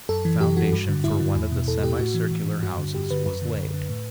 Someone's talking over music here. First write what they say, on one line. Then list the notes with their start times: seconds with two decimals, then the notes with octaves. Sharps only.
The foundation for one of the semi-circular houses was laid.
0.09 F#2 A4
0.25 E3
0.41 F#2 G4
0.57 E3 F#4
0.73 G2
0.89 D3
1.04 G2 E4
1.20 D3
1.36 E2
1.52 B2
1.68 E2 A4
1.83 B2 G4
1.99 A2 F#4
2.14 E3
2.31 A2
2.47 E3
2.63 G2 F#4
2.78 D3
2.94 G2 G4
3.10 D3 B4
3.26 F#2 B4
3.42 D3
3.57 F#2
3.74 D3
3.89 A2